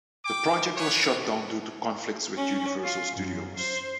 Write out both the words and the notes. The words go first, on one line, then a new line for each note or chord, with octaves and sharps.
The project was shut down due to conflicts with Universal Studios.
G5 D6
B4 C#5
C#4
F4
F#2
C5